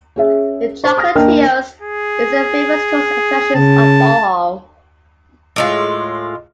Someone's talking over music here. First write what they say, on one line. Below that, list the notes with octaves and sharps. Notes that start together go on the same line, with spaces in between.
The Chocolate Hills is a famous tourist attraction of Bohol.
C#4 G#4 E5
C5 A5 C#6
D#6 F6 A#6
D#2 D4 A#4 D#5 G5 F6
G#4
C#3 A5
A2 G#3 F4